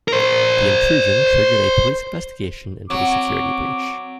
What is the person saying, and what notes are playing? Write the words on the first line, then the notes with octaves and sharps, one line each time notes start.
The intrusion triggered a police investigation into the security breach.
A#4 C5
F#3 C4 D6